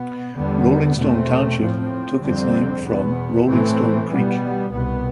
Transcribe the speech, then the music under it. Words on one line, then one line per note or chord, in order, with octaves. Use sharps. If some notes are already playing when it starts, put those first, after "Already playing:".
Rollingstone Township took its name from Rollingstone Creek.
Already playing: B2 B3
E2 D3 G3 B3
E2 B2 A3 C4
A2 F3 C4
F2 D3 G3 C4
E2 B2 B3
A2 E3 A3 C4
B2 G3 B3
C2 B2 B3